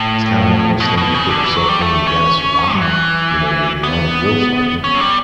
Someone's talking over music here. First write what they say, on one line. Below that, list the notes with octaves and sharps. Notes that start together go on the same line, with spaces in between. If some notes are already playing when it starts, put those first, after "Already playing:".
It's kinda one of those things you put yourself through and you gotta survive. You know, you're your own drill sergeant.
Already playing: A2
B2
B2
C#3
D3
E3
F#3
G3
A3
C#4
F#3
E3
B3
C#4
F#3
G3